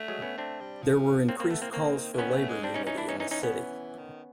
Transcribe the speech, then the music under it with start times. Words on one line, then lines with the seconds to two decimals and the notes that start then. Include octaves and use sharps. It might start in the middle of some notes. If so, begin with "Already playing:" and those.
There were increased calls for labour unity in the city.
Already playing: A3
0.08 F#3 G#3
0.22 B3 C#4
0.38 A3 C4 D4
0.61 G3
0.82 F3
1.29 F#3 A#3 C4
1.40 A#3 C4
1.50 E3 A3 B3
1.62 A#3 C4
1.73 D#3 A#3 C4
2.14 E3
2.18 D#3 B3 C#4
2.34 A3
2.49 G#3
2.63 G3 C4 D4
2.74 C#4 D#4
2.86 E3 C#4 D#4
2.98 D4 E4
3.09 E3 C#4 D#4
3.20 C#4 D#4
3.31 C#4 D#4
3.43 D#3 B3 C#4
3.53 E3
3.99 D#3